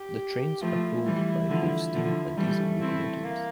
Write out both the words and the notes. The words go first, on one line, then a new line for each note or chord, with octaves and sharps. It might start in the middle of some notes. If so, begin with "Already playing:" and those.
The trains are pulled by both steam and diesel locomotives.
Already playing: G4
F3 A3 E4
E3 G3
D3 F3
D3 F3
E3 G3 A3
C4 E4
A#3